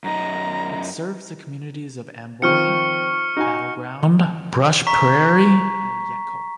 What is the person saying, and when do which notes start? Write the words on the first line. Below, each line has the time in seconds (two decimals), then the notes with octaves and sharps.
It serves the communities of Amboy, Battle Ground, Brush Prairie and Yacolt.
0.04 F#2 D#4 A#5
2.42 D#3 F3 C4 C#6 F6 C#7
3.37 D#4 F#4 G#5
4.87 A#5 C#6 B6